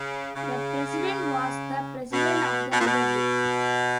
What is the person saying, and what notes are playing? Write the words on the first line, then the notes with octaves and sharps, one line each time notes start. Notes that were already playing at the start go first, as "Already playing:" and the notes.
The President was the President of the Republic.
Already playing: C#3
C#3
B2
B2
A#2
B2